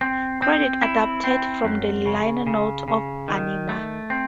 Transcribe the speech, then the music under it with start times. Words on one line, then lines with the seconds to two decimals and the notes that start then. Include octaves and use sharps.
Credits adapted from the liner notes of "Anima".
0.01 C4
0.42 C4
0.83 E4
1.24 C4
1.65 F#2
2.06 C#3
2.47 C#3
2.88 C#3
3.28 D#3
3.69 A3
4.10 C4